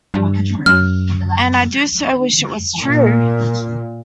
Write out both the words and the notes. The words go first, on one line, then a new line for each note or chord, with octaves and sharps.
And I do so wish it was true!
G2
F#2 F6
A#2